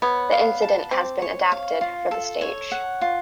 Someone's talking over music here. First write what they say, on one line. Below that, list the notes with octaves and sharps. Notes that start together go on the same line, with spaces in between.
The incident has been adapted for the stage.
B3 C#5
F5
A5
C4 D6
C#5
F5
F4
A4
C#5
F#5
F4